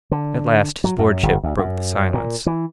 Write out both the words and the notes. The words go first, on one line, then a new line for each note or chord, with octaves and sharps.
At last his lordship broke the silence.
D3
F#3
F#2
G1
D2
F#2
A#2
E3